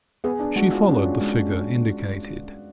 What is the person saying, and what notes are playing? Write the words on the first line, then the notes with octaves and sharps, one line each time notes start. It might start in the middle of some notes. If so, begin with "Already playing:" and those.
She followed the figure indicated.
B3 G#4
D4
G#3 F#4
F4
C#4 D4
G#3